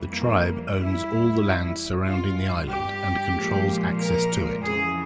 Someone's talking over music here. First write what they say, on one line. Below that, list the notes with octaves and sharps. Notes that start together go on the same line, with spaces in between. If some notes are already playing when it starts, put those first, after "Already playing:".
The tribe owns all the land surrounding the island and controls access to it.
Already playing: F2 E3 G3
A#3
E2 E3 G3 E4
G2 G3 F4
G4
A#2 F3 G#3
A#4
F2 C#3 E3 G#4